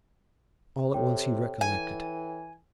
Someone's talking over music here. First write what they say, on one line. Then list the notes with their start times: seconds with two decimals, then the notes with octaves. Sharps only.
All at once he recollected.
0.94 C3 A4 C#5 G5
1.61 E3 G#5